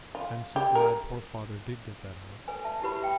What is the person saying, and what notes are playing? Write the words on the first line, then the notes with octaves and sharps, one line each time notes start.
I am so glad poor father did get that house.
F4
G4
A#4
A4 B4 G#5
E5 A5
E4 G4 B4 B5
E5 G5